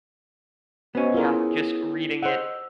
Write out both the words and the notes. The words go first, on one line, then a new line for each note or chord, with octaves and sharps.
Yeah. Just reading it,
B3 C#4 F#4 C5 D#5 C#6
E4 F4 G#4 A#4
C5 D#5 F#5 E6